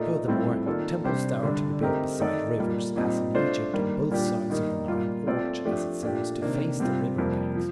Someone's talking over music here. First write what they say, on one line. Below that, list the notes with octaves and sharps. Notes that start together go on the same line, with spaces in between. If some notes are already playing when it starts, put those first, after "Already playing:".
Furthermore, temples that are to be built beside rivers, as in Egypt on both sides of the Nile, ought, as it seems, to face the river banks.
Already playing: A#2 A3 D#4 A#4 D5
A2 G3 C4 F4 A4
D#3 A#3 F4 A4 D5
C3 G3 D4 G4 C5
D3 G3 D4
A3 C4 D#4 G4 A#4
D#3 A3 D#4 A4 D5
A#2 G3 A#3
A#2 G3 C4 D#4
A3 D4 F4 C5
D#3 G3 A#3
A#2 G3 D4 G4
D#3 G3 A#3 D#4
A#2 G3 A#3 F4
A3 C4 F4 A4 D5
F3 A3 D4 G4
A#2 A3 D4 G4
C3 D#3 A#3 D4
C3 G3 C4 F4
F2 C3 G3 A#3
F3